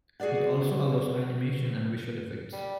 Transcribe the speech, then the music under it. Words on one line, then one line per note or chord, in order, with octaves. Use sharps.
It also allows animation and visual effects.
F#4 G#4 A#4 D5 F#5
G3